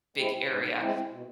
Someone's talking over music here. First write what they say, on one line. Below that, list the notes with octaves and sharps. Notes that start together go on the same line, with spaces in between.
big area,
G#3 C4 E4
G#2
G#3 C4 E4
B2